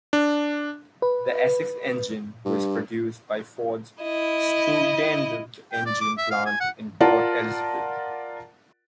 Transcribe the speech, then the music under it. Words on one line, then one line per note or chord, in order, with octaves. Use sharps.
The Essex engine was produced at Ford's Struandale engine plant in Port Elizabeth.
D4
B4
G2
E4 D#5
G5
D5
D6
E5
F5
G#5
F#5
F4 A#4 D5 F#5 A5